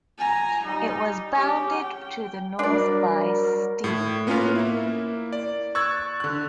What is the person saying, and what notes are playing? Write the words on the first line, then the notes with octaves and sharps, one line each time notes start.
It was bounded to the north by Ste.
G#5 A#5
G3 D#4
C#4 G4
G5
F#3 G3 D4 A#4 D5
A2
A#3 B3 C#4 F4 A#4 B4
A#3 E4
D5
C#6 E6 F#6 G#6 A6
D3 F#6